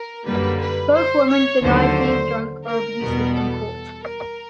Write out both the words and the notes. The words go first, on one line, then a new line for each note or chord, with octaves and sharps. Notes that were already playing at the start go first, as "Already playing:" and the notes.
Both women denied being drunk or abusive in court.
Already playing: A#4
F#2 D3 G3 A#3 B4
B4
C5
C#5
D#2 D3 F#3 C5
A#4
E2 B2 G3 B3
A4
A#4